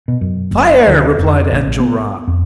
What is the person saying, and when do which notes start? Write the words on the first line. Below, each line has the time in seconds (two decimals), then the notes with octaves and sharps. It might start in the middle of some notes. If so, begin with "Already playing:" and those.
"Fire!" replied Enjolras.
0.08 B2
0.21 F#2
0.51 F#1
0.87 D2
1.19 F2
1.51 A#1
1.67 A1
1.80 B3
2.27 F2